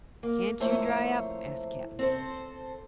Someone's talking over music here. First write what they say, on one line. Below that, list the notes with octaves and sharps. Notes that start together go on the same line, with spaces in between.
"Can't you dry up?" asked Cap'n Bill.
A#3
F2 A3 A#3 E4 C5 C#5
C4 A4 C5